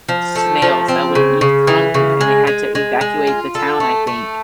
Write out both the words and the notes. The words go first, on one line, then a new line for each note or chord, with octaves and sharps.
snails that would eat concrete and they had to evacuate the town, I think.
F3
A3
F3
C4
C#3
C#3
E3
C#3
G#3
G#3
G#3
G#3
F4
A4
A3
A3